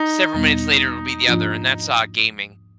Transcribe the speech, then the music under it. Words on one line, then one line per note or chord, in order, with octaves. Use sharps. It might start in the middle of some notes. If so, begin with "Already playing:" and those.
several minutes later, it'll be the other, and that's, uh, gaming.
Already playing: D#4
E2 B2 G3 B3
G#2 F3 A#3 D4 F4